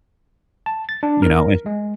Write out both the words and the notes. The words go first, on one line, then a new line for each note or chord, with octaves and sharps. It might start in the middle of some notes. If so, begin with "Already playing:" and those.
you know, an
A5
A6
D4
A#4
G#3